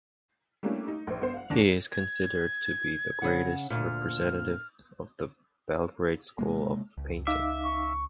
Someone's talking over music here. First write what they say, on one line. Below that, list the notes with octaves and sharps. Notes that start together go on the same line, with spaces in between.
He is considered to be the greatest representative of the Belgrade School of Painting.
G3 A3 A#3 C#4 D4 E4
D#4
A#1 C5
G1 B3 C5
F5 F#5
D#2 D4 A5 A#6
G#6
C#3 F#5
D2 G2 A#2 F6
C3 G#3 A#3
C#2
D#4 E5 F5 D6
C#6